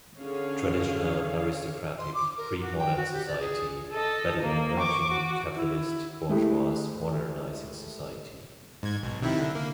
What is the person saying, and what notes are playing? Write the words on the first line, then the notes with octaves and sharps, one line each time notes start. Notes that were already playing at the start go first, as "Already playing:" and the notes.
Traditional, aristocratic, premodern society battled an emerging capitalist, bourgeois, modernizing society.
D3 C#4 G#4 C#5 F5
C6
D6
A#4
F#4
G5
F#4
G4
D5
G#4
A4 D#5
A#3
C#6 D6
F#4
E4
G#3 A3 E4 G4
G#2 G#6
B1
C3 D#3 E4
D3
A#3